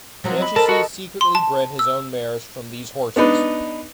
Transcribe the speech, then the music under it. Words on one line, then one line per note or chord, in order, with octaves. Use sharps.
Anchises secretly bred his own mares from these horses.
F3 F#3 C4
D#5 B5
A4 A#4 C5 A5
F#4 D#5 A5
C6
A5
E6
B3 D4 D#4 B4